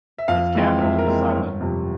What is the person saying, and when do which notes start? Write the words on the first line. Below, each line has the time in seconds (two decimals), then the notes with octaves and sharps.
Its capital is Sibut.
0.18 E5
0.28 F2 F5
0.55 E3 G#3 C4
0.81 F2 E5
0.98 A#4
1.07 E3 G#3 C4
1.35 G1
1.60 F2 C3